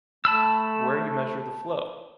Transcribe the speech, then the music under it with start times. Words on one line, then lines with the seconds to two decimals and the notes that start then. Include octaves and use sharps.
Where you measure the flow.
0.25 A3 A5 B5 E6